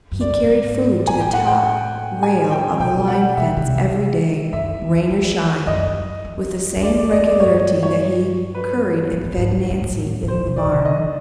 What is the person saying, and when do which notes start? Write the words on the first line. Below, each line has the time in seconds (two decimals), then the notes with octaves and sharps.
He carried food to the top rail of the line fence every day, rain or shine, with the same regularity that he curried and fed Nancy in the barn.
0.12 F#2
0.21 D5
0.30 G#2
0.50 G#2
1.07 A2 G#5
1.20 G5
1.33 F#5
1.46 G5
2.23 G#5
2.51 G5
2.79 B2 G5
3.08 F#5
3.37 B2 E5
3.57 C3
3.75 C3
4.53 F#2 E5
4.82 E2
5.11 F2
5.67 F#2 D#5
6.25 F2
6.76 F2
6.82 E2 D5
6.97 D5
7.12 F2 D#5
7.26 D5
7.40 G2 C#5
7.54 C#5
7.83 C#5
8.55 B4
9.12 G#2
9.25 A2
9.37 G#2
9.71 A2
10.23 A2
10.27 A#2 C5
10.47 B2
10.56 D5
10.66 C3
10.85 C#3 D#5